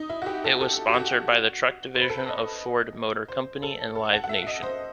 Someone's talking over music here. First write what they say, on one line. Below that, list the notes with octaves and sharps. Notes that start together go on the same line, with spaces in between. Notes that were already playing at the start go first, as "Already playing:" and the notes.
It was sponsored by the truck division of Ford Motor Company and Live Nation.
Already playing: D#4
E4
F#4
G4
A4
A4
G4
F#4
C5
B4
A4
B4
D#5
C5
A4
A4
F#5
F#5
E5
E5
D#5
C5